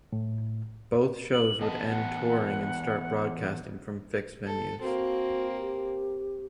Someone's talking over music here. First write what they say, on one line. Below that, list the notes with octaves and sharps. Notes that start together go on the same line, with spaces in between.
Both shows would end touring and start broadcasting from fixed venues.
A2
F#7
E3 B3 D#5 A5
F#5
A4
A#3 C4 F#4
G4